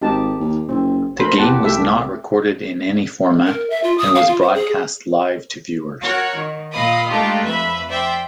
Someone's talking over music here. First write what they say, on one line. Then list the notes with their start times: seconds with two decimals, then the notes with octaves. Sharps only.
The game was not recorded in any format and was broadcast live to viewers.
0.02 G#1 D#4 G4 A5
0.40 D#2
0.69 F#1 C4
1.19 D2 A#4 C5 B5
1.38 E2 G4 F#5 A5
1.62 C2 A3 G4 E5
3.46 A#4
3.70 E5
3.84 F4
3.98 D#6
4.15 F5
4.28 F4
4.41 C5
4.55 G#4
6.01 F#4 A#4 C#5 F#5
6.36 D#3
6.73 A#2 D#5 F5 B5 D#6
7.09 G#3 A3 D4 D#4 F4 G4
7.42 F2 B4 E5 B5
7.88 C5 D5 E5 G5